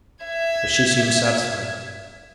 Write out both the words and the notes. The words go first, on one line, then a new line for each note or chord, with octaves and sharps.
But she seemed satisfied.
E5 G#6